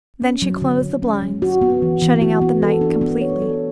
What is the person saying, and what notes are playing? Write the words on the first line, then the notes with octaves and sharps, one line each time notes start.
Then she closed the blinds, shutting out the night completely.
C#4
F#3
D3
D3
C#4
F#3
F#4
B3
E3
E3
F#4
B3
A4
D4
B3
C#5
A4